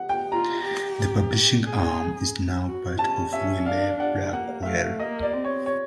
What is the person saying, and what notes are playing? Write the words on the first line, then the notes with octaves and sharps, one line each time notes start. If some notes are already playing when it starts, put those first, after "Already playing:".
The publishing arm is now part of Wiley-Blackwell.
Already playing: F#5
G5
F4 A#5
G4
G#4
F#4
C#4 A5
C#4 E5
D4 F5
D4 F#5
A#3 F#5
E5
A3 F5
A#3 D#5
D5
C4
C#5
C#5